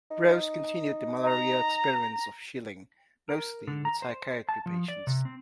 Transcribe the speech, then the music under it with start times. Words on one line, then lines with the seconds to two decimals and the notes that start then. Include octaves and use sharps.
Rose continued the Malaria-experiments of Schilling, mostly with psychiatry patients.
0.11 D#4
1.25 A#5
3.29 A#4
3.68 D3
3.85 A#5
4.02 C5
4.49 A5
4.66 F3
4.88 D5
5.07 C3
5.25 C4